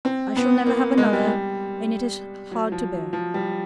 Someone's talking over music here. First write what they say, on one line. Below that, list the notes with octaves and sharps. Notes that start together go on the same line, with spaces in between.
I shall never have another, and it is hard to bear.
C4
B3
A#3
G#3
G3
F#3
F3
F#3
F3
G3